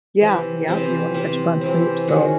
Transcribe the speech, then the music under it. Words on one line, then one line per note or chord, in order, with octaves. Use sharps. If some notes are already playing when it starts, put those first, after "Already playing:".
Yeah, yep, you want to catch up on sleep, so
C3 E3 C4
C3 E3 C4
C3 E3 C4
C3 E3 C4
D#3 G#3 C#4 F#4